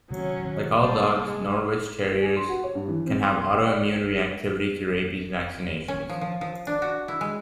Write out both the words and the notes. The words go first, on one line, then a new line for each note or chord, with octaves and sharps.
Like all dogs, Norwich Terriers can have autoimmune reactivity to rabies vaccinations.
C3 D#3 F#3 A3 C#4
C3 D#3
C3 G3 A#3 C5 A5
G#3
G#5
C6
F#4
C#5
G2
E3
C4
C6
C6
G5
D5
C#4
F3
F3
F3
D4
F#4
E4
G#3